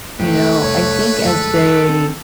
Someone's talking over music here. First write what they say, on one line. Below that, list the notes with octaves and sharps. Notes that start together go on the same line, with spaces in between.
you know? I think as they
C#2 F#2 A2 A3 B4 G5
F1 C2 C#5
F#2 D3 G#3 A4
C4